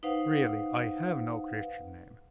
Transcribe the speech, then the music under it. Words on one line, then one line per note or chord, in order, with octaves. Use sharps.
Really, I have no Christian name.
D#4 B4 C5 F5 F#5